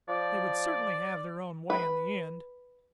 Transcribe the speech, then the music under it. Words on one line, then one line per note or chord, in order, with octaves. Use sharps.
They would certainly have their own way in the end.
F3 D5
B4